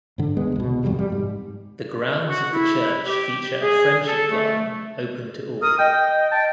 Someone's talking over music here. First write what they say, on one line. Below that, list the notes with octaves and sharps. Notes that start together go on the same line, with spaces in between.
The grounds of the church feature a friendship garden open to all.
G#2 D3
D#2 G#3 B3
C2 B2
G#1 F2 C3 G3
G3
G#2
F#4
E4
G4
G#4
A4
A3
A#4 D#6
D#5 G5
G5 A5